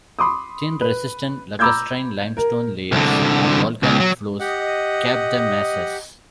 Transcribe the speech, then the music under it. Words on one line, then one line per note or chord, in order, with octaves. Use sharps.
Thin resistant lacustrine limestone layers and volcanic flows cap the mesas.
B5 C6 D6 D#6
B4
A#5 B5 D6 E6 G6 G#6
A#4
C2 D3
C#2
F#3
G4 D#5 F#5